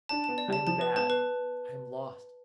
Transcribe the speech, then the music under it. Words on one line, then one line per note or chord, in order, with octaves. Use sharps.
'I am bad, I am lost.
D4 A5
B3 A5
D5
G3 A5
F3 A5
B4
B3 A5
B4